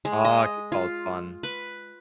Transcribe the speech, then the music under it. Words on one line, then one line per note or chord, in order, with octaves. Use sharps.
Ah, kickball is fun.
G#3
D#5
F4
B4